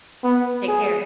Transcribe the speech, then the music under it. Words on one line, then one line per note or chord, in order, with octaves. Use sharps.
Take care.
B3
G#4